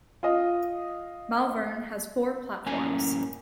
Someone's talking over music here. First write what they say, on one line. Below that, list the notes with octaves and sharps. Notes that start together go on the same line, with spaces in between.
Malvern has four platforms.
F4 D#5
F#2 A2 A#3 C#4 A#4 G#5